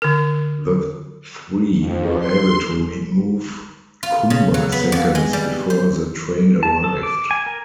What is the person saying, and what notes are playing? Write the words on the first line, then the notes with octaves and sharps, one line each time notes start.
The three were able to remove Cumba seconds before the train arrived.
D3 A#4
F2
C6
F4
C#3
F#3
B3
F2
G#3
G3
C5
A5
A4
D6
G#5
A#4